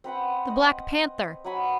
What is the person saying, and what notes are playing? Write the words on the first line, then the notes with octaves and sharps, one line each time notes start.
The black panther!
C4 B4 F#5 G5
D#5
F#3 F#5 G#5 B5